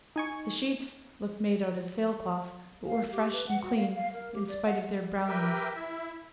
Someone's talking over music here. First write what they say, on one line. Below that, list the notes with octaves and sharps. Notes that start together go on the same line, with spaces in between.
The sheets looked made out of sail-cloth, but were fresh and clean in spite of their brownness.
D#4 G#5 C#6
F5
G4
B4
F#5
F#4
F5
F5
A#4
G4
D5
F#5
G4 A#4 B4 E5 G5
E4 E5